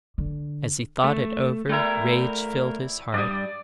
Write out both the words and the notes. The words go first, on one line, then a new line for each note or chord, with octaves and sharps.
As he thought it over rage filled his heart.
D3
A3
G3 A3 E4 A#4
G2 G3 D5 D#6